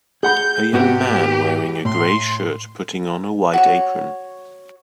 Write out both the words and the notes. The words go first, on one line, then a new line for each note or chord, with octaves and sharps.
A young man wearing a gray shirt putting on a white apron.
G#4 F#5 B5 G6
G#2 B3 F#4 G4
A2 C6
F#4 C#5